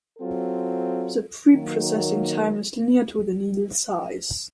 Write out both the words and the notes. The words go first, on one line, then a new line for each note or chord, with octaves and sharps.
The preprocessing time is linear to the needle size.
F#3 C4 F4 A4
D#3 F#3 A#3